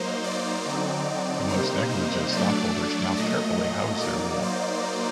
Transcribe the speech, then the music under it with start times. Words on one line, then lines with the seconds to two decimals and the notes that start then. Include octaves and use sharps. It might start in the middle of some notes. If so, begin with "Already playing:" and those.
The most negligent stock-holders now carefully house their wool.
Already playing: F#3 A#3 D#4 C5
0.24 D5
0.66 D3 F#3 C4 D#4
1.49 C3 G3 A#3 D#4 C5
1.91 C5
2.32 F#3 A3 D4 D5
3.17 A#2 F#3 A3 D#5
4.01 F#3 A#3 D#4 D5
4.42 C5